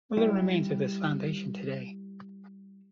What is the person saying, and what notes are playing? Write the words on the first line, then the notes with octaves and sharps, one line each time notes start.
Little remains of this foundation today.
G3 E4